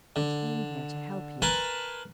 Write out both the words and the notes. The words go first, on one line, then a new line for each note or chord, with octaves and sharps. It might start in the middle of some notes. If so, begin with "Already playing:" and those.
I came here to help you.
D3
A#4 B4 G#5 A5 B5 C6